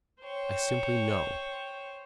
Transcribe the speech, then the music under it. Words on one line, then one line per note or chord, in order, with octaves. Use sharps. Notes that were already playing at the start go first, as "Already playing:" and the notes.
I simply know.
C5 C#5 G5